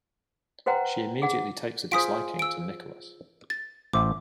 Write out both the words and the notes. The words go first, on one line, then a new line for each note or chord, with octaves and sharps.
She immediately takes a disliking to Nicholas.
F#4 B4 C5 F#5 G5 A#5
G#4 F#5
F4 G#4 C5 D#6 B6 D7
E6 D7
A6
A1 C5 E5 D6